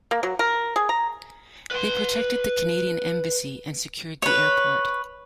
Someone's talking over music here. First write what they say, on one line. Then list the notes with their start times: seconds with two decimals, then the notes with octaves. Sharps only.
They protected the Canadian embassy and secured the airport.
0.11 A#3
0.23 F#3
0.39 A#4
0.76 G#4
0.89 A#5
1.71 B4 C6
4.22 B4 C#5